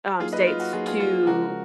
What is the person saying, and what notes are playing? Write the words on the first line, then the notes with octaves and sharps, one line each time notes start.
um, states to
F#3 A#3 D#4 F4 G#4
B4 D#5
F4
F#4
F#3 A#3 D#4 F4 G#4
F4 G#4
F4
C#3 F3 G#3 F#4 A#4